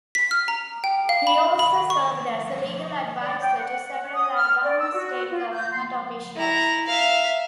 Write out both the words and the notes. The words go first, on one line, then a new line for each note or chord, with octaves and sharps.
He also served as a legal advisor to several Alabama state government officials.
B6
F6
A#5
G5
F5
B5
B5
C#6
D5
G5
F#5
F#5
D#6
F6
D5
E6
F#4
F4
G6
C6
E4 A#5
E5 F5